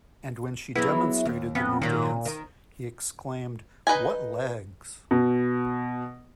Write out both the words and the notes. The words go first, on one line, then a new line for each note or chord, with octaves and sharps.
And when she demonstrated the new dance, he exclaimed, What legs!
F#3 G#3 B3 E4
D#2
F2 B3 C#4
A#2 D#3 F#3 F#4
D#3
D#4 B4 D#5 G#5
B2